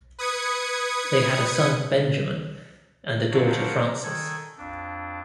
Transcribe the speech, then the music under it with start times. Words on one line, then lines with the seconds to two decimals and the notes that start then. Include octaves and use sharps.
They had a son, Benjamin, and a daughter, Frances.
0.19 B4 D#6 G#6 C#7
3.31 F3 F#3 D4 A#4 C5 C#5
4.03 D#3 A4 G#5 G#6
4.57 F2 D4